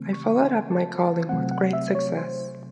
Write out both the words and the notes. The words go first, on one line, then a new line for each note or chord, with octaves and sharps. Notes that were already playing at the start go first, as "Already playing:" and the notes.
I followed up my calling with great success.
Already playing: C#3 E3 A3 C4
C#6
C#6
C6
A5
A5
C3 F#3 A3 C4 F#5
F#5
E5
C#5
C5